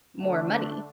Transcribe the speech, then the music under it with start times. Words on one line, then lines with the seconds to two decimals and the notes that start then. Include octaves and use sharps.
more money.
0.17 D3 A3 D4